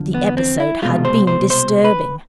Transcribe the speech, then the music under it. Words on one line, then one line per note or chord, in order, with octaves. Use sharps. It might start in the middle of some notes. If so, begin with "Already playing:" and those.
The episode had been disturbing.
Already playing: E2 D3 F3
B3
C4
E4
C2 B2 G#3 F4
C5
C5
C5
B4